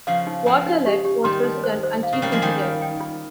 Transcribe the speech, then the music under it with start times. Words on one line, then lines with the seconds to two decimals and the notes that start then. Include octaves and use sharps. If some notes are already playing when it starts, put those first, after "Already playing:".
Vautelet was President and Chief Engineer.
0.07 C#3 F3 F5
0.27 D#4
0.46 C#3 F3 G#5
0.66 D#4
0.86 G4
1.05 G4
1.24 D#3 G3 C6
1.44 D#4
1.64 C5
1.83 C5
2.03 F5
2.13 C#3
2.22 G3 A#3 C#4
2.32 F3 G#3
2.42 D#3 G3 F5
2.62 F4
2.81 G5
3.01 F4